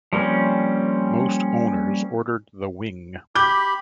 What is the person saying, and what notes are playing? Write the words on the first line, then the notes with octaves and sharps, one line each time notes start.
Most owners ordered the wing.
F3 G3 A#3 C4 C#4
G4 B5 D6 G6